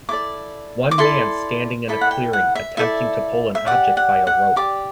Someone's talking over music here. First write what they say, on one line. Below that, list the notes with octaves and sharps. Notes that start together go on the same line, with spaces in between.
One man standing in a clearing attempting to pull an object by a rope.
E4 A4 D5 D6
D6
E4 A4 D5 C6
E4 A4 D5 B5
F#5
G5
F#5
E5
E4 A4 D5 E5
E5
G4 D5 F#5
F#5
F#5
G4 D5 D6